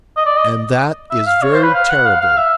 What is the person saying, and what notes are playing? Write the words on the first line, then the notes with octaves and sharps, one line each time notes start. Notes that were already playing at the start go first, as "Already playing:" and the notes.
And that is very terrible.
D#5
D5
D#5
E5
F5
C#5
C5
B4
F5
F#5
F5
F5
E5